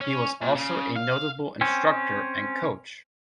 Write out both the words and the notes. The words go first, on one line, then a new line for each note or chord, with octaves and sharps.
He was also a notable instructor and coach.
C#4
A#2
C#3
F5
C4 C#4